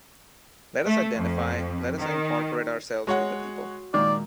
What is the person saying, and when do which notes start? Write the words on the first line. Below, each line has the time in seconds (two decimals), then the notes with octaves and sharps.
Let us identify, let us incorporate ourselves with the people.
0.85 A3
1.16 F2
1.97 D#3
3.07 G#3 F#4 C#5 F#5
3.94 A#2 D#3 G#3 D5